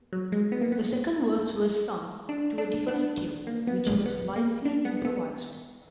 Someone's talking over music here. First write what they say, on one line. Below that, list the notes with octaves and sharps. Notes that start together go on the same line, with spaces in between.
The second verse was sung to a different tune, which was likely improvised.
F#3
G#3
B3
A#3
B3
D4
D4
D4
A#3
B3
G#3
B3
A#3
D4
B3
B3